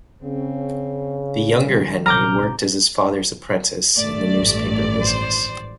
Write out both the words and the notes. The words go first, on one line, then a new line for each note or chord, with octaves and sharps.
The younger Henry worked as his father's apprentice in the newspaper business.
C#3 C4
D#3 G3
A#1 C3 A#5 D6 F6 G6
G#1 A3 D5
A1 G2
C5